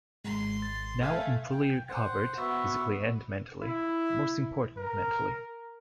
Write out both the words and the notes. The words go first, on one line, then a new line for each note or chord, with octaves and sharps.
Now I'm fully recovered, physically and mentally, most important mentally.
G#1 G#3 C6
A6
A3 A4 F5 G#5
G5
C5 F#5
B3 F#4 E5
E4
A#4